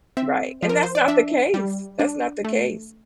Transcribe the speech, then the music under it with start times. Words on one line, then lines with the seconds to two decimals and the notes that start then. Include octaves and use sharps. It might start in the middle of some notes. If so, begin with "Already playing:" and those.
Right, and that's not the case. That's not the case.
0.17 C4 E5
0.62 F3
0.69 A#4
0.83 C5
0.95 D5
1.08 D4 E5
1.54 G3
1.99 D4
2.45 A3